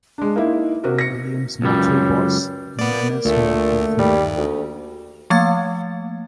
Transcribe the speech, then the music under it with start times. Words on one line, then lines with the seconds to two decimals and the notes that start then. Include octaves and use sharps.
William's motto was 'Manners makyth man'.
0.18 G#3 D4
0.36 A#3 D#4 E4
0.84 C3 F#4 A#4
0.99 A#6 C#7
1.62 C#2 F#2 G3
2.79 A#3 B3 D5
3.25 D2 A#2 A3
3.99 D#2 G3
4.37 D2
5.30 F3 A3 A#3 F5 G#6 A6